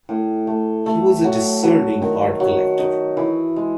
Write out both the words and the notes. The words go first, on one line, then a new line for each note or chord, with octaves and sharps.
He was a discerning art collector.
A2
A3
A3
F#3
F#3
D#3
F#3
D#4
E3
G#3